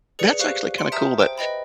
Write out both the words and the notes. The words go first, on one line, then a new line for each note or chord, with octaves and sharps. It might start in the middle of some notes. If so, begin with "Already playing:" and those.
That's actually kinda cool that
G#4 B4 D5 C#7
G4 C5 F5 C#6 F#6
C6 C#7 D7
E5 A5 A#5 D#6 F6 G6
C5 G5
B4 D#5 G5 B5